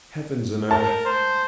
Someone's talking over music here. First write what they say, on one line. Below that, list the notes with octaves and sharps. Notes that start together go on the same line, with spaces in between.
Heavens and earth!
A#4 A5
C5